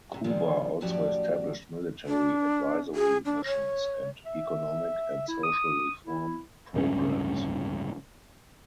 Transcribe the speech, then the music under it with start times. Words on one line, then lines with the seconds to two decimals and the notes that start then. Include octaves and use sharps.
Cuba also established military advisory missions and economic and social reform programs.
0.12 G#2 C3
0.24 A#2 D3 D#3 F3 G3 G#3
0.81 F#2 A2 F3 F#4 G4 D5
2.05 D4
2.95 G#4
3.25 D4
3.45 C#5
4.26 E5
5.28 E4
5.43 D#6
6.06 E4
6.74 D1 C#2 G2 C#4